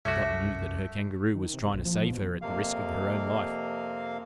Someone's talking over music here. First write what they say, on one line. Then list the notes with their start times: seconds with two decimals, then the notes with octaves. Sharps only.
Dot knew that her Kangaroo was trying to save her at the risk of her own life.
0.05 C2 F#2 A3 C#4 F#4 E5 D6
1.35 D#3
1.53 C3
1.73 A#1
1.85 F3
2.08 B2
2.42 F2 C3 A#3 F5